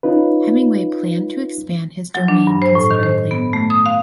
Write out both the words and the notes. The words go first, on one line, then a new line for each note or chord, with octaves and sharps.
Hemingway planned to expand his domain considerably.
C#4 D#4 F4 B4
F#3
D4
G2
C5
A2
D#3
C5
B3
A3
D#6
F5